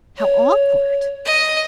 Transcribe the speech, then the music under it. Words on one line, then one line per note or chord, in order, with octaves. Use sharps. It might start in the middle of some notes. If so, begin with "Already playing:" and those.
'How awkward.
C#5
D#5